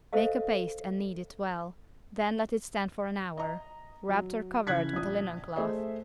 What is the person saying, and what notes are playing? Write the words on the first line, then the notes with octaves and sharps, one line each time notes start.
Make a paste and knead it well, then let it stand for an hour, wrapped or covered with a linen cloth.
A4 C5 D#5 F5
D#5 A#5
F#3
C#3 E3 F#6 G#6 B6
A#1 D#6
A3 G#4 C5 D#5 E5